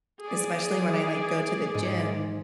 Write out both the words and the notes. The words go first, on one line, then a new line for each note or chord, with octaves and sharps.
especially when I like go to the gym,
G#4 D5
G#2